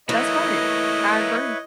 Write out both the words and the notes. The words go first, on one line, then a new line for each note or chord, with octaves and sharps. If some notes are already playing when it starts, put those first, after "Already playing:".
That's right. I agree.
E3 A3 A#3 E4 B4 C#5 D#5